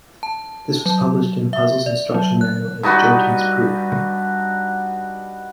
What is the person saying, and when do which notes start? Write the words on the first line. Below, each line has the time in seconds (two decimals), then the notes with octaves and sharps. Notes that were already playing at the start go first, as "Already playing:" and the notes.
This was published in the puzzle's instruction manual as "Jotun's Proof".
0.23 A5
0.86 F#3
1.53 E5
1.86 D5
2.14 F#3
2.41 F#6
2.83 G2 D#4 F#4 B4